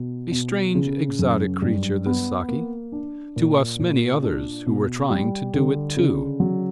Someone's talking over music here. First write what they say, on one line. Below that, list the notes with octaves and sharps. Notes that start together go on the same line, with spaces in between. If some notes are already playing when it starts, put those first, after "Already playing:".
A strange exotic creature, this Saki, to us many others who were trying to do it too.
Already playing: B2
B2
C#3
F#2
G2
B3
A#3
D4
A#2
A#2
D4
B2
G3
D3
C#3
F#3